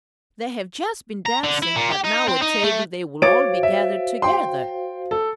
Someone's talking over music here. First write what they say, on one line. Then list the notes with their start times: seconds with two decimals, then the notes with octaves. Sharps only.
They have just been dancing, but now at table they will all be gathered together....
1.26 A#5
1.44 D3
1.63 E4
1.76 A#2
1.91 G4
2.04 D#4
2.28 C4
2.41 D#4
2.63 A3
3.22 F#4 C5 C#5 F5 D6 A6 D7
3.63 E5
4.22 G5 C6
5.11 A4